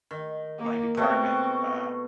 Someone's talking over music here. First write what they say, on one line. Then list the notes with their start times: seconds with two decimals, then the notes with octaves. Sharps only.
my department, uh
0.11 D#3
0.58 A#3
0.97 B2 A3 C4 F#4